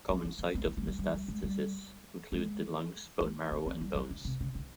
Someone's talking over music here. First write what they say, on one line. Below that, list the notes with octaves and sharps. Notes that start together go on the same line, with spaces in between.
Common site of metastasis include the lungs, bone marrow, and bones.
A#3
B3
A#3
B3
A#3
G#3
G3
G3
G3
G#3
G3
G#3
G#3
C4
C4
G3
F#3
D3
C3
C#3
D3